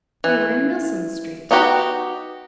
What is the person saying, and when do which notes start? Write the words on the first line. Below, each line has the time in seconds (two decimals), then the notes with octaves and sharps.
They were in Milsom Street.
0.24 E3
1.51 B3 D#4 F#4 G4